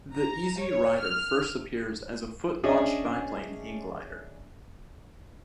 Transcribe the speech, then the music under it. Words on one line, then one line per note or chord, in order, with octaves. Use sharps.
The Easy Riser first appears as a foot-launched biplane hang glider.
A#5
C#5
F6
C#4 D4 G#4 C#5 D#5 E5